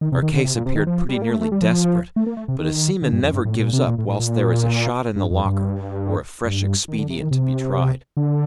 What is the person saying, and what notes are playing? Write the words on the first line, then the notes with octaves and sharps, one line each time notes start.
Our case appeared pretty nearly desperate; but a seaman never gives up "whilst there is a shot in the locker," or a fresh expedient to be tried.
D#3
C3
D#3
D3
C3
A#2
C3
D#3
F3
G3
A#3
A3
A3
G3
F3
A3
A#3
A3
C3
D#3
D3
G2
F2
G2
A2
A#2
C3
A#2
A2
A2
A#2
G2
F2
G2
G2
D#3
D3
C3
D#3
C3
D3